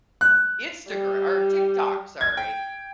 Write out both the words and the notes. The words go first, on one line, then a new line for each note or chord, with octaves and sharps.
Instagr or TikTok, sorry,
F#6
G3
G#6
G5